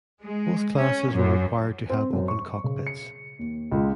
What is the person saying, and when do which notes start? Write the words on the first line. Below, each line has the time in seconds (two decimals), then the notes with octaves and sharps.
Both classes were required to have open cockpits.
0.24 G#3
0.79 C#4
1.13 F#2
1.90 C4
2.13 F#2
2.28 C#6
2.64 C#3
2.87 C#7
3.39 D#2
3.72 C#2